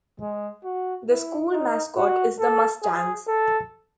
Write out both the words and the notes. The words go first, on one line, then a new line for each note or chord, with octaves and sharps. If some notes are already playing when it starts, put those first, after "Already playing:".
The school mascot is the Mustangs.
G#3
F#4
E4
D#4
F#4
A4
G#4
A4